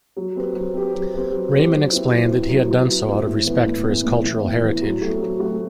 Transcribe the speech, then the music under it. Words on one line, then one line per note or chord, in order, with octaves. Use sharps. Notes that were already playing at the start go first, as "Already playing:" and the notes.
Rahmon explained that he had done so out of respect for his cultural heritage.
F#3
C4 G4 B4
F#3
C4 G4 B4
F#3
C4 G4 B4
F#3
C4 G4 B4
F#3
C4 E4 B4
F#3
C4 E4 B4
F#3
C4 E4 B4
F#3
C4 E4 B4
A2
E3 B3
A2
E3 B3
A2
E3 B3
A2
E3 B3
F#3
A3 C4 F#4 A4
F#3
A3 C4 F#4 A4